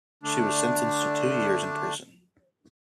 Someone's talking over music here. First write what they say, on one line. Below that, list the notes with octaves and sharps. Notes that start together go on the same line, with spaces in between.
She was sentenced to two years in prison.
D3 A3 D4